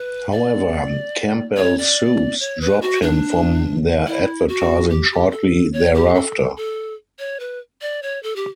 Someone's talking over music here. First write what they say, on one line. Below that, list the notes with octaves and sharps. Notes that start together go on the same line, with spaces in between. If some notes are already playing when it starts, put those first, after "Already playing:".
However, Campbell Soups dropped him from their advertising shortly thereafter.
Already playing: B4
D5
C#5
D5
C#5
B4
F#4
D4
E4
F#4
G4
G4
A4
C#5
G4
A4
A4
C#5
B4
D5
C#5
A4
G4